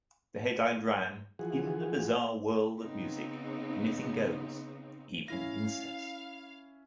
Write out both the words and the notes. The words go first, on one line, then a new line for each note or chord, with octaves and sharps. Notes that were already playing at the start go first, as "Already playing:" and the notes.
The headline ran, In the bizarre world of music... anything goes - even incest.
E3 F3 F#4 G#4
C#3 B3 C4 D#4
C#4 E4 F5 A#6